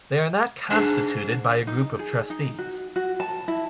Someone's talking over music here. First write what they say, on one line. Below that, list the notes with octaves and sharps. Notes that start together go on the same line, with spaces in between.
They are not constituted by a group of trustees.
G#2 D4
D#4
G#4
D#4
F#4
F#4
A5
E4